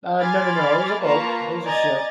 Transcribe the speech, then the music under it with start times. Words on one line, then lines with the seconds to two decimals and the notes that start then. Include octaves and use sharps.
Uh, no, no, no, it was a boat, it was a ship.
0.19 G#5 B5 C6 D6 F6 A6
1.00 A#3 F4 B4 A5 A#5 C#6
1.64 D5 D#5 G#5 A#5 G#6 A6